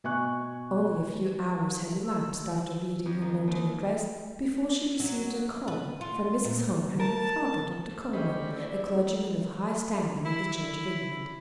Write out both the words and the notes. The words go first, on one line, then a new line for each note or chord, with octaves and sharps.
Only a few hours had elapsed, after reading her note and address, before she received a call from Mrs. Holmes and her father, Dr. Coleman, a clergyman of high standing in the Church of England.
B2 G#5 C#6 F#6
E6
F2
D#3
D#2
F#3
B4
F4
A#2
A#4 A5
D2 C#4 G4 C5 D#5 B5
F2 E4 D5
E4